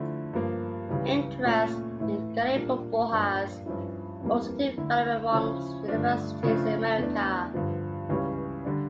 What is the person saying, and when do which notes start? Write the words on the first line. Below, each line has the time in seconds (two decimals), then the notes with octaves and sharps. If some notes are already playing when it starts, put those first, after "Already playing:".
Interest in Gaelic Football has also developed amongst universities in America.
Already playing: D3 F3 A3 E4
0.33 G2 F3 A#3
0.89 C#2 C#3 E3 G3
1.44 A#2 A3 C#4 F4
2.00 A2 E3 A3 E4
2.56 A#2 G3 A#3 D4 F4
3.11 G2 F3 A#3 D4
3.66 G2 F3 C#4 E4
4.21 F2 E3 G3 A#3
4.77 D3 A3 E4
5.32 C#3 F3 C#4 E4
5.88 G2 D3 A3 D4 F4
6.43 C#3 F3 A3 D4 F4
6.98 E2 E3 A3 D4
7.54 G2 D3 F3
8.09 C#2 C#3 E3 G3 C#4
8.65 D3 G3 D4